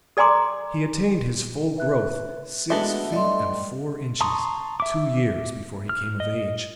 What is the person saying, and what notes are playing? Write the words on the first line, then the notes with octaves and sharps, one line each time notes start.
He attained his full growth, six feet and four inches, two years before he came of age.
A4 D5 G#5 A#5 C6 D6
B4 E5 F#6
G#3 A3 B3 D4 F#4 E5 G7
G3 D#5 C6
A5 A#5 C6 C#6 D#6
E5 D6
F6
D#5